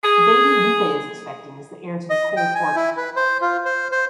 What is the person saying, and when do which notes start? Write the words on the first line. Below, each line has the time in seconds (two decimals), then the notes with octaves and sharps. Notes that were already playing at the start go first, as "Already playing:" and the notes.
The baby Lupe is expecting is the heir to this whole fortune.
0.04 G#4
2.10 D#5
2.37 G5
2.55 G#5
2.76 E4
2.97 B4
3.16 C5
3.42 F4
3.65 C5
3.92 C5